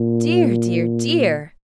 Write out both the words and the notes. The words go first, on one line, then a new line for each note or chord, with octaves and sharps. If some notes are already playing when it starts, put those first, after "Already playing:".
"Dear, dear, dear!"
Already playing: A#2